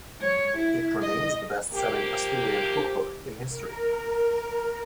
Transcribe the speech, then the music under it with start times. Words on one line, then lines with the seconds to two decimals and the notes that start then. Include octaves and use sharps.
It remains the best selling Asturian cookbook in history.
0.22 C#5
0.57 E4
1.02 D#5
1.73 C3 F3 A#3 G4
3.47 A#4